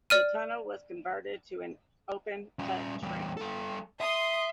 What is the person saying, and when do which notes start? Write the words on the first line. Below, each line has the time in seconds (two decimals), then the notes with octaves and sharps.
The tunnel was converted to an open cut trench.
0.10 D5 F6 D#7
2.59 G3 C#4
3.03 E2 G3
3.37 G3 A4
4.00 E5 C6 D#6